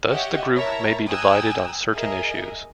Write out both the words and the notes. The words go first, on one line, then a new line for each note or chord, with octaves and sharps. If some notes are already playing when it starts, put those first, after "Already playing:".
Thus, the Group may be divided on certain issues.
G4 C#5 D#5 E5 F#5
E4 A#4 C#5 E5 A5 A#5
G5 G#5 A#5 D#6 E6 F#6
G#4 A#4 D#5 E5